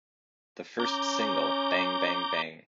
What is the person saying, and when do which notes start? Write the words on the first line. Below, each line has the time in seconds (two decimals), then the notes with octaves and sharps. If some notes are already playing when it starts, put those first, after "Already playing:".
The first single "Bang Bang Bang".
0.80 C#4 A#5 D6 G6